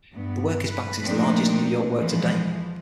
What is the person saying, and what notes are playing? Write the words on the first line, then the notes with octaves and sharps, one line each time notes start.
The work is Banksy's largest New York work to date.
G2 B3
B4
A#2 F3 A3 C4 D4 D#4
F2 E3 F3 G#3